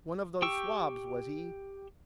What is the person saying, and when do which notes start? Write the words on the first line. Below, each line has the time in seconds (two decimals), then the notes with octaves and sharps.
One of those swabs, was he?
0.42 G4 G5 C#6 E6